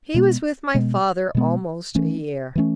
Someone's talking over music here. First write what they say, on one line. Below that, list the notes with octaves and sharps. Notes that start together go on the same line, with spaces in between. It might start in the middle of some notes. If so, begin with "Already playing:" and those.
He was with my father almost a year.
B2 G#3 B3
B2 G#3 B3
B2 G#3 B3
E3 A3 C#4
E3 A3 C#4